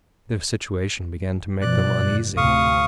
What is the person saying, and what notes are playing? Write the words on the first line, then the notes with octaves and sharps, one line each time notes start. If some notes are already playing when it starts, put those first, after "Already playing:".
Their situation began to make them uneasy.
F#2 B2 F3 D5 F#6
F#1
D2 A2 C3 F5 C#6 D#6